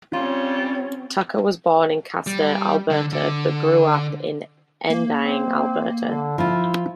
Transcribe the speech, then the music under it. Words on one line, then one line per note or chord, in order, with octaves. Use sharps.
Tucker was born in Castor, Alberta, but grew up in Endiang, Alberta.
G3 C4 C#4 F4 C#5
G3
D3
D3
A#3
C4
D3
F3 E4 F4